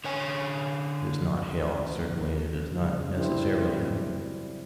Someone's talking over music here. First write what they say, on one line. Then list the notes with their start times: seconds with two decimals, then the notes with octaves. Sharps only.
It is not Hell, certainly it is not necessarily Heaven.
0.04 D3 C#5 G#5
2.82 C#3 G3
3.17 D4 E4 G4 B4 C5
3.65 F#3 C4